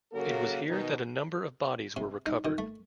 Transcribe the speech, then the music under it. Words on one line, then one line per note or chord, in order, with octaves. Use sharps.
It was here that a number of bodies were recovered.
C#3 F#3 A#3 F#4 A4 A#4
B2 D#3 D#4
C3
D#4
D#3
A3